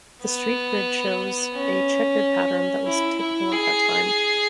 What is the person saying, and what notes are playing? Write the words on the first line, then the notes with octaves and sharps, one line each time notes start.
The street grid shows a chequered pattern that was typical of that time.
B3
C#4
E4
E4
G#4